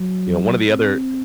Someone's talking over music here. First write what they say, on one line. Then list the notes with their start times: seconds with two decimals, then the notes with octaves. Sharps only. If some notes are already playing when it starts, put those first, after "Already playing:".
you know, one of the other
Already playing: F#3
0.70 C4